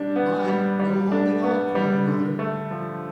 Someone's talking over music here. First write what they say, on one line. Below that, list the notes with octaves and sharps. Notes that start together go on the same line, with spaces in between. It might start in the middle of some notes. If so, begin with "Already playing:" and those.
"Mind, no holding on!" cried another.
Already playing: G3 D4
B3
G3
G3
D4
B3
G3
D3
A3
F3